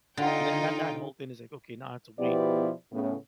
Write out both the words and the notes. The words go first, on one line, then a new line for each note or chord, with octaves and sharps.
and then that that whole thing is like, okay, now I have to wait,
D3 D#4 F4 G5
B2 F3 B3 E4 G4 D5
A2 C#3 B3